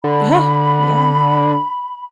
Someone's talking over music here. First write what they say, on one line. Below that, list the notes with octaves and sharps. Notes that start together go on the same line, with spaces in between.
Uh-huh. Yeah.
D3 B5